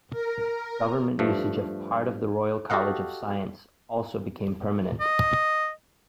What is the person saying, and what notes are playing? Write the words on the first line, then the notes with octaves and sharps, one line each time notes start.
Government usage of part of the Royal College of Science also became permanent.
A#4
G2 F3 A3
F#4 G4 A4 D#5 F5 F#5
D#5